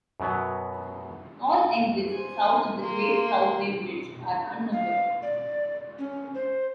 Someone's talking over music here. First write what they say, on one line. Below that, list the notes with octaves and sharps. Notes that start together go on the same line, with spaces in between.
All exits south of the Great South Bay Bridge are unnumbered.
F#2 B2 F#3 B3
C5 G#5
A#3 C6
F5
D5
C#4
C5